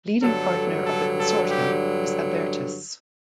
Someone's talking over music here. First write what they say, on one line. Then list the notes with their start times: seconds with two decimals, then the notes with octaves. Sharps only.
Leading partner of the consortium is Abertis.
0.21 G2 D3 F#3 A4
0.86 A4
1.18 A4
1.50 G4